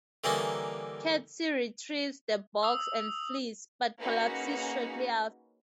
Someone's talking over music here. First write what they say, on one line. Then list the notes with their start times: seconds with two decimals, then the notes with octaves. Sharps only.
Kirsty retrieves the box and flees, but collapses shortly thereafter.
0.24 D3 E3 G3 A#3 C#4 D#4
2.63 D#6 E6
4.00 A#3 C#4 D#4 F#4 G#4 B4